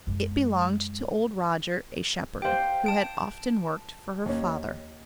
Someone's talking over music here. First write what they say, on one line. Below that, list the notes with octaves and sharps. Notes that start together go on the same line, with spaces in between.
It belonged to old Roger, a shepherd, who had often worked for her father.
F#2 G#3
G4 C5 F5 G5
A5 D7
D#2 C#4